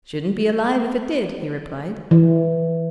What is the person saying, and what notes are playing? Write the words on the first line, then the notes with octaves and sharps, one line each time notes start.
"Shouldn't be alive if it did," he replied.
E3